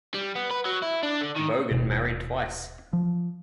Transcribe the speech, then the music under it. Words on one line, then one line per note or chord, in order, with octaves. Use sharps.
Bogan married twice.
G3
B3
B4
F#3
E4
D4
D3
D#3
D#1 B2
F3